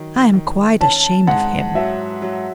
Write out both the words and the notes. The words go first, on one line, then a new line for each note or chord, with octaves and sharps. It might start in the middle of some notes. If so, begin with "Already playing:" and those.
I am quite ashamed of him.
Already playing: D#3 F#3
D#3
C#4 A5
G#2 F#5
F#3 E5
F#3